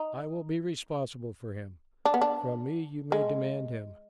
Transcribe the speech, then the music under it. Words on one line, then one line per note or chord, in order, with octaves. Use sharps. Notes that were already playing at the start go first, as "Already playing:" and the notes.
I will be responsible for him; from me you may demand him.
Already playing: D#4
D4
B3
D4
G#3